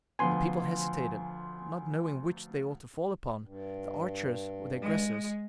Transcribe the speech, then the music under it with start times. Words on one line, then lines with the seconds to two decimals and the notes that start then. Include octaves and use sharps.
The people hesitated, not knowing which they ought to fall upon, the archers or the aggressors.
0.19 D2 F3 B3 G#5 C6
3.42 G2
4.82 G#3